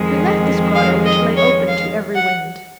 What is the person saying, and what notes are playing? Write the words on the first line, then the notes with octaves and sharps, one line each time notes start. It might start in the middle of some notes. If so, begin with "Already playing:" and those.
We left this grotto which lay open to every wind.
Already playing: F2 D#3 G#3
F5
D#5
C#5
F5
F#5